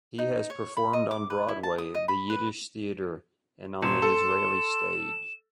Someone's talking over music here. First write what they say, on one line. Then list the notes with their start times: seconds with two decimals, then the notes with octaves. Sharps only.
He has performed on Broadway, the Yiddish theater, and on the Israeli stage.
0.19 D#4
0.50 C#5
0.77 B5
0.93 D#5
1.11 D6
1.30 B4
1.48 E4
1.63 A5
1.78 D#6
1.94 D#5
2.08 B5
2.30 B4
3.83 D#1 C6 E7
4.02 A4